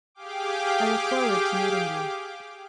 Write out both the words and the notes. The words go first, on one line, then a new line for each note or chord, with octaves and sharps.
I look forward to meeting you.
G4 G#4 F5 G5 D6